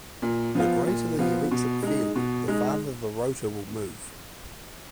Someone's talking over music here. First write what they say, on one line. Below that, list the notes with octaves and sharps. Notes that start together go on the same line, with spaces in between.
The greater the electric field, the farther the rotor will move.
A#2
F3 B3 F4
A#2
F3 B3 F4
B2
G#3 D#4
B2
G#3 D#4